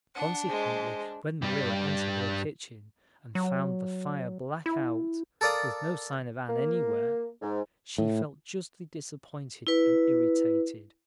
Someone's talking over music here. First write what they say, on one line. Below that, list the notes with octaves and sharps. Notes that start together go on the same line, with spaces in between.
Consequently, when Marilla entered her kitchen and found the fire black out, with no sign of Anne anywhere, she felt justly disappointed and irritated.
D4 F#5
G#3 C5
G2 G3
F#3
E4
A4 A#4 D5 F5 D#6
A#3
G#2
A2
E4 B4